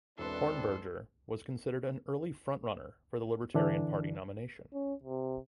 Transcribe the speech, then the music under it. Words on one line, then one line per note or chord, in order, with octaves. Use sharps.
Hornberger was considered an early front runner for the Libertarian Party nomination.
E1 C4 D4 E4 A4 B4 C6
D3 E3 D4
C#4
C3